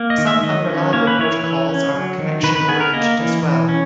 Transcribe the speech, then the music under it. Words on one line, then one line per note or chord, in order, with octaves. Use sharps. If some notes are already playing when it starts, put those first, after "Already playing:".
Some unreliable protocols are connection-oriented as well.
Already playing: A#3
D#5
D#3
E5
D#3 D#5
C#4
A#3 C#5
B4
E3 C#5
E3
C#4
F#3
D#3
D#3 B4
B4
B3 G#4
A#4
A#3 D#5
E3
E3
C#4